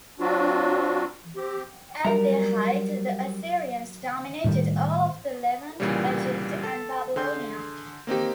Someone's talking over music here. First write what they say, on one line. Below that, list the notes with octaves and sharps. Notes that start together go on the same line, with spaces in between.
At their height, the Assyrians dominated all of the Levant, Egypt, and Babylonia.
F#3 C4 D4 F4 F#4
C4 G4
F#3 G3 A#4 A#5
A2 D#3 G3
G1 C2 A#2 C#3 E3 G3
A4 A5
D3 G#4 C6 G6
A#3 C4 D#4 G4